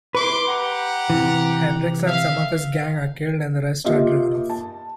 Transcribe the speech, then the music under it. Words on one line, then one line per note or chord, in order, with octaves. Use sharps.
Hendricks and some of his gang are killed, and the rest are driven off.
E4 B4 C6 D6
G4 F#5 A#5
C3 E3
E5 F5
A#3 F4 G4 D#5 E5
A5